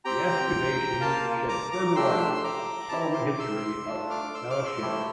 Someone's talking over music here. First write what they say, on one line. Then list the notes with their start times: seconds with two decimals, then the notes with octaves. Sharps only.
The excavation shed further light on the settlement history of Tel Shem.
0.05 C4 G4 G5 A#5
1.01 A#3 F4 F5 A5
1.49 A#5 D6
1.72 A#5 D6
1.87 D6
1.95 A3 D4 G4 C6 E6
2.37 C6
2.43 A#5 D6
2.89 C4 E4 G4 A5
3.01 A#5
3.13 C6
3.27 D6
3.39 C6 E6
3.87 A3 D4 F4
4.10 D6 F6
4.34 C6 E6
4.50 D6 F6
4.65 C6 E6
4.81 A3 E4 G4